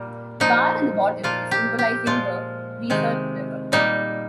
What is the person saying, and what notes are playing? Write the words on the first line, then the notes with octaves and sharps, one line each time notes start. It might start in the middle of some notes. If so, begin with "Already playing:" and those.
The bar in the bottom is symbolising the Weser River.
Already playing: A#2 G3 A#3
A#2 F3 A#3 D#4
A#2 F3 A#3 F4
G4
G4
A#2 F3 G#3 F4
C3 D#3 G#3
A#2 G3 A#3 D#4